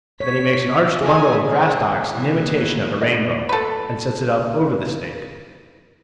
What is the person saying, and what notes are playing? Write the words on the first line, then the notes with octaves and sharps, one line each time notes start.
Then he makes an arched bundle of grass stalks in imitation of a rainbow, and sets it up over the snake.
C#5 B6
A3 G#4 A#4 G#5
C4
C3 E3 G3
D#2 D#3 B3
D3 G3 D#4 D5 D#5
A4 B4